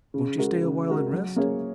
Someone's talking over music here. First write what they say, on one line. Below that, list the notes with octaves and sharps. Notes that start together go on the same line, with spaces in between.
"Won't you stay awhile and rest?"
C#3
G#3 F#4 A#4
C#3
G#3 F#4 A#4
F#3
A#3 C#4 G#4 C#5